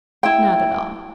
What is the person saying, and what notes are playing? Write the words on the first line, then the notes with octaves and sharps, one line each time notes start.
Not at all.
E4 G5